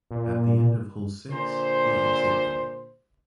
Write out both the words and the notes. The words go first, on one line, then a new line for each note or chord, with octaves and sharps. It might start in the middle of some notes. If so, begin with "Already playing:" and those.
At the end of hall six, the exit door.
A#2
A#2 D3 C5